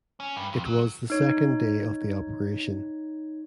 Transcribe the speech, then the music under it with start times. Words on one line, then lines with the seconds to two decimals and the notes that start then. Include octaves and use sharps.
It was the second day of the operation.
0.20 C#4
0.36 G2
0.53 F2
0.65 F#3
1.10 D#4 C#5